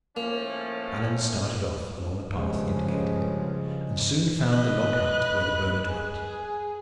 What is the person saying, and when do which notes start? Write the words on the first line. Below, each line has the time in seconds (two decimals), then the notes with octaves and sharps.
Alleyne started off along the path indicated, and soon found the log-hut where the burner dwelt.
0.17 A2 F3 A#3 C#4
2.32 G2 C#3 F3 G#3
4.51 B4 D#5 F#6
5.87 G#4